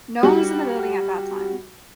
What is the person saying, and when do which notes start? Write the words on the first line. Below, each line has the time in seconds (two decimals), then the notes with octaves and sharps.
No one was in the building at that time.
0.23 G3 F#4